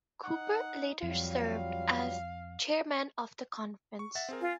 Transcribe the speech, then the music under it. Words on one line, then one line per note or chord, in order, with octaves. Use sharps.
Cooper later served as chairman of the conference.
D#4 F#5
F2 F#3 G3 F4 F5
C#6
E5 F#5 A6
C4 G#4 A#4
F4 G#5